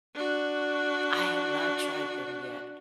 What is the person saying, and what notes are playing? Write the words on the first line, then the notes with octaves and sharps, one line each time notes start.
I have not tried them yet.
D4 F#4